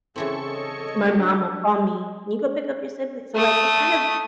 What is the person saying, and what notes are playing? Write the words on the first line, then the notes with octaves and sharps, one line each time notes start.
My mom will call me, "Can you go pick up your sibling?" So, like, it kind of
C#3 E3 C4 E4 A4 C#6 C#7
C#5 D#5
D4 G4
A3 D#6